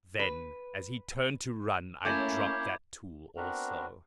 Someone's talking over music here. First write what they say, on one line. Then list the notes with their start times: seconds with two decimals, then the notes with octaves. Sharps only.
Then, as he turned to run, I dropped that tool also.
0.19 B4
2.05 A3 A#3 C#4 E4 G#5 D6 G6 G#6
3.37 B3 C4 D4 F#4 A#4 B4